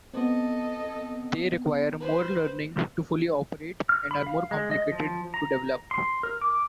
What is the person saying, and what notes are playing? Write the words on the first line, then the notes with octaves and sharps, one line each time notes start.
They require more learning to fully operate and are more complicated to develop.
B3 C4 A4 D#5
B4 C5
F6
B5
F5
G#3
D#5
F3
A#5
C6
A#4
D6